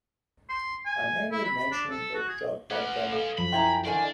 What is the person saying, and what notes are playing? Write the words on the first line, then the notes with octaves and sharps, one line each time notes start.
I merely mentioned that Job had them.
C6
G#5
E4
B5
B5
D4
A4
F#4
G#4
G#3 C#4 G#4 B4 F#5 B5
A4 F5
F#2 F3 B5
E4 E5 G5 G#5 A#5 C6
D3 D#3 D4 G#5